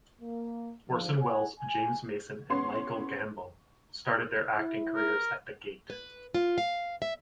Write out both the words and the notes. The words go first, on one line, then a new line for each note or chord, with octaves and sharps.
Orson Welles, James Mason and Michael Gambon started their acting careers at The Gate.
A#3
G#2 D3 F3
C#5 F#5 G#5
G#5
B3 C#4 C6
E4
A#4
B4
F4
F5
E5